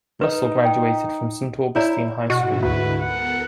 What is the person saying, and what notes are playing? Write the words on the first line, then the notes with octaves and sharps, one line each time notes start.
Russell graduated from Saint Augustine High School.
D#4 B4
G5
E4 C#5 D5 A#5
G#2 B2 D3 E4 F#4
D2 B4
B3 A4 A#4 F#5